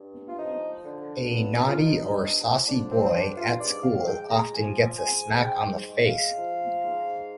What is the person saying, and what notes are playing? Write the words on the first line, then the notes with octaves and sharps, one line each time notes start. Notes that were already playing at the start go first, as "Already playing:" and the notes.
A naughty or saucy boy, at school, often gets a smack on the face.
Already playing: G2
F4
F3 D#4
D3
G2
F4
G2 D#4
F3
D3 D4
C4
C4
G2 D4
F4
G#2 D5
F5
G#3 G5
A#5
F3 G#5
G#2 G#5
G#2 G5
G#3
F5
F3
G#2